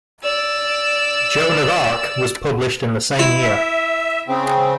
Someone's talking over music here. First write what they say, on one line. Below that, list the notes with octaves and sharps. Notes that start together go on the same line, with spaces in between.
"Joan of Arc" was published in the same year.
D5 E6
E4
E5
C#3 C4